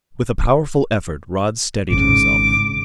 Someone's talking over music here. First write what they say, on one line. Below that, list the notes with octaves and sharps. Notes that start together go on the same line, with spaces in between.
With a powerful effort Rod steadied himself.
G#1 G#2 C#3 D6